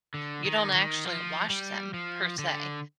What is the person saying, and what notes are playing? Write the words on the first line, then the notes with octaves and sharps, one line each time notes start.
you don't actually wash them per se,
D3
D#3
D3
D#3
F3
G3
F3
D3